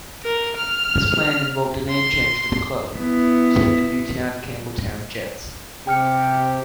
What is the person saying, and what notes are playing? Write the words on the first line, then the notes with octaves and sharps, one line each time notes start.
This plan involved a name change for the club, to the Newtown-Campbelltown Jets.
A#4
F6
C6
B3 E4
C3 G4 G5 F6 C#7